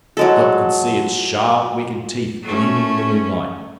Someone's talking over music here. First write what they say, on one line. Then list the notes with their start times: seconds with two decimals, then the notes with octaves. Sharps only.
Dot could see its sharp wicked teeth gleaming in the moonlight.
0.17 F#3 G#3 A4
2.43 A3 C#4